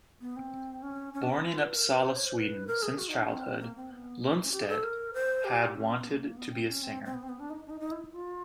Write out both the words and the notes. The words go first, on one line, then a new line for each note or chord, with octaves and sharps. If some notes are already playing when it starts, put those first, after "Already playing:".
Born in Uppsala, Sweden, since childhood, Lundstedt had wanted to be a singer.
B3
C4
C#4
C#4
D4
C4
C#4
F4
B4
A#4
B4
C5
C#5
C5
B4
A#4
G#4
F#4
D#4
D4
C4
A#3
C4
B3
A#3
C#4
G4
G#4
A4
A#4
C5
G4
C#4
B3
A#3
B3
C4
C#4
C4
C4
B3
C4
B3
D4
D#4
D4
D#4
D#4
E4
F4